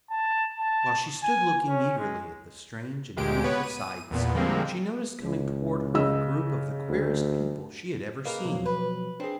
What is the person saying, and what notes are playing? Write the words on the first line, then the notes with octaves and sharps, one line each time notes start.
While she stood looking eagerly at the strange and beautiful sights, she noticed coming toward her a group of the queerest people she had ever seen.
A5
A5
G#5
C#4
G#3
D2 A#2 G#3 G4 D7
B3 B4 C#5
D#7
E2 A#2 B3
D3 F3 G3 G#3 A#3 C4
C#2
C#3 D#5 E6
D2
A#3 G#4 A#4 B4 D#5
B2 F3 F#3
B4
C4 D4 G#4